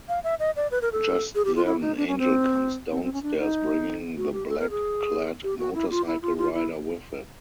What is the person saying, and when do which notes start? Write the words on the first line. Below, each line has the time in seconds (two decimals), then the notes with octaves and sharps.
Just then, Angel comes downstairs, bringing the black-clad motorcycle rider with him.
0.09 F5
0.24 E5
0.40 D#5
0.56 D5
0.71 B4
0.82 A#4
0.92 A4
1.35 G#4
1.45 G4
1.56 F4
1.65 E4
1.81 D#4
1.97 D4
2.08 C#4
2.19 C4
2.91 C4
3.03 C4
3.13 C#4
3.23 D4
3.39 D#4
4.18 F#4
4.33 G4
4.49 A4
4.59 A#4
4.71 G#4
5.43 G4
5.59 F#4
5.75 E4
5.91 F4
6.07 E4
6.22 F4
6.38 F4
6.54 E4